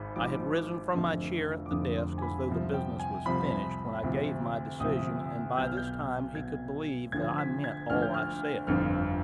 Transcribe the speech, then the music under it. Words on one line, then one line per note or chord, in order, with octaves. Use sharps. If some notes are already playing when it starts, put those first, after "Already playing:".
I had risen from my chair at the desk, as though the business was finished, when I gave my decision; and by this time he could believe that I meant all I said.
Already playing: G#1 G#2 B5
G#1 G#2 F3 D6
F1 F2 D3 F3
D6
F1 F2 D3 F3 D#6
C6
G#5
B5
C2 C3 F3
G5
G#5
C2 C3 F3 B5
D2 C3 F3
D2 C3 F3 D#6
B1 B2 G6
F6
G6
B1 B2 G#6
D2 D3 F3 G#6
B6
G#6
D2 D3 F3 F6
G6
F6
G1 F2 D3 F3 F6